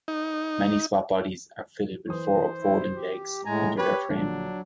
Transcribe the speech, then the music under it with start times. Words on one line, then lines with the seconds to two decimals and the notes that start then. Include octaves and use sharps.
Many swap bodies are fitted with four up-folding legs under their frame.
0.08 D#4
2.09 E3 C5 D#6
2.60 E4
2.94 G4
3.45 A2 G#3 G#5 A#5
3.77 G4 B4 C#5 G5 B5
4.10 A#1 D3 F#3 D4